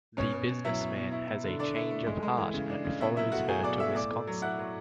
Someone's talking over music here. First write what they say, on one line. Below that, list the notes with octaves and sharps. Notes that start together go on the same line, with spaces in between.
The businessman has a change of heart and follows her to Wisconsin.
B2 C#4 C#5
B2
B2
F#3 E4 E5
B2
B2
E4
E4
D3
D3 D4 D5
E4
A3
G#3
G#3
E3
C#3
D4
C#3
B2 E4 E5
F#3 E4 E5
A3 F#4 F#5
F#3 G#4 G#5
B2 D5 D6
A3 E5 E6
A2 D5 D6
A2
F#3
E4 F#5 F#6
F#3